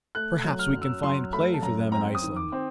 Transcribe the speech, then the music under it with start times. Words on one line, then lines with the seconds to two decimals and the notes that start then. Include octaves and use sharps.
"Perhaps we can find play for them in Iceland."
0.15 A3 F#6
0.44 F#3
0.59 F6
0.74 F#2
0.82 E6
1.03 F#3 C6
1.33 A3 B5
1.54 A5
1.62 F#2 A#5
1.92 C4 A#5
2.15 D#6
2.22 D#3
2.36 D6
2.52 C4